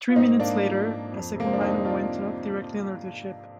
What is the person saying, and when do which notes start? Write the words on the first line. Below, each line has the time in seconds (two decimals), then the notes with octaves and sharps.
Three minutes later, a second mine went off directly under the ship.
0.09 F4
0.16 G#2 C4 D#4
0.40 G#2 A#3 D4
0.64 F3
0.89 F3
1.12 F2
1.36 C3 A#3
1.47 C4
1.53 D4
1.61 F2 C4 D#4
1.85 D4 F4